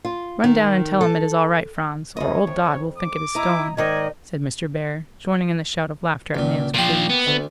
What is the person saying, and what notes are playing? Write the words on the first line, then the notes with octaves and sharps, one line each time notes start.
"Run down and tell him it is all right, Franz, or old Dodd will think it is stolen," said Mr. Bhaer, joining in the shout of laughter at Nan's coolness.
F4
D#3
A4
F#2 C#5 D#5
F2
D6
E4 D#5 A#5
G#2 D#3 D5 D#5 G#6
C#2 A#2
A#2 F3 A#3 G4
B3
D2